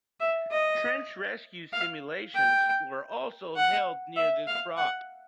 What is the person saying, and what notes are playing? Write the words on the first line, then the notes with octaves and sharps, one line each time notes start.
Trench rescue simulations were also held near this prop.
E5
D#5
F5
G5
F#5
E5
F5
F#5